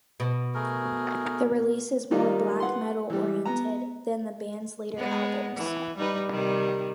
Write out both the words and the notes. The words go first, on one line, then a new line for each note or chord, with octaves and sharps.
The release is more black metal oriented than the band's later albums.
B2
A3 G#4 A#4
D#3 G3 A#3 D4 D#4 F4
B4 F#5 C6
E3 G3
B3 A#5
G#3 B3
E3
G3 D#4 B4
C3 D#3 G3